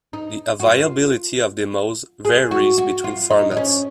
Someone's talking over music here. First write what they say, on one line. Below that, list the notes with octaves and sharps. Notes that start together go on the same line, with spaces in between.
The availability of demos varies between formats.
D#4
F#4
F4
G#4
F#4
F#4
F4
D#4
D#4
C#4